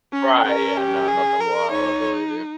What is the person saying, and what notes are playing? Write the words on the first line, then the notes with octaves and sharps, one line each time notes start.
Right, yeah, no, nothing wild, I believe you.
C#4
C#4 A#4
G4
G#4
A#4
D#4 C#5